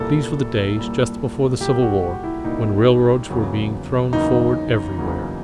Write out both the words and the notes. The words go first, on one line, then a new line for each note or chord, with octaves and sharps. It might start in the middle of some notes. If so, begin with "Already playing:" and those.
These were the days, just before the Civil War, when railroads were being thrown forward everywhere.
Already playing: C2 A#2 G3 A#3 A4
C2 A#2 G3 A#3
C2 A#2 G3 A#3 G4
F#4
F#4
E4
C2 A#2 G3 A#3 D#4
E2 C#3 F#3 A#3
E2 C#3 F#3 A#3 D#4
E2 C#3 F#3 A#3